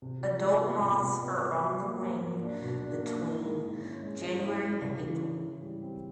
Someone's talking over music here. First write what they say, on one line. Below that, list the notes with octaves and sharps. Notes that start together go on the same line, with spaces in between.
Adult moths are on the wing between January and April.
C3
F3
G#3
B3
C3
C3
B3
F3
F#3
A#3
A#3
A#3
D4
B2
D4
A#3
E4
G#3
G#3
C#4
G#3
G#3
E4
G#3
C#3
E3
E3
E3
G3
C4